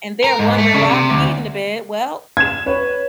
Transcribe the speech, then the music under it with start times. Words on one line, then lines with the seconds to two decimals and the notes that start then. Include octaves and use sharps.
and they're wondering why I'm peeing in the bed. Well,
0.24 A#4
0.39 G#2
0.58 A3
0.74 C#3 D4
0.90 C3
1.10 D2
2.37 G#6 E7
2.66 B4 C#5